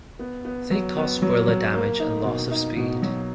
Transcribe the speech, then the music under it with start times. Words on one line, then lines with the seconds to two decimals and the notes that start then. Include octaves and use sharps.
They caused boiler damage and loss of speed.
0.19 B3
0.45 B3
0.71 F#3
0.97 B3
1.22 F#3
1.48 F#3
1.74 A#3
1.99 D#4
2.24 B2
2.51 D#4
2.76 B2
3.02 F#3